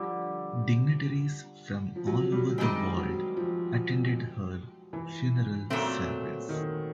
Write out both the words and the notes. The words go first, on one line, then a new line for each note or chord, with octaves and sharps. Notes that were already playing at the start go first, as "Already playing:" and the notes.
Dignitaries from all over the world attended her funeral service.
Already playing: D3 F3 G3
F3
F#3
G3
D#3 G3 G#3 C4
F#3
F3
E3
A#2 F#3 A3 C4
D#3